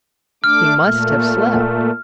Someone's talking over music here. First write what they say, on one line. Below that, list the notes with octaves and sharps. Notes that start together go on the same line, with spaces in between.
He must have slept.
A3 D4 D6 F6
A#2 A3